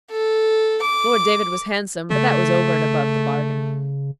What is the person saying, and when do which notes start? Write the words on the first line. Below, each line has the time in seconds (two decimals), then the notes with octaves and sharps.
Lord David was handsome, but that was over and above the bargain.
0.11 A4
0.82 D6
2.10 C#3 A3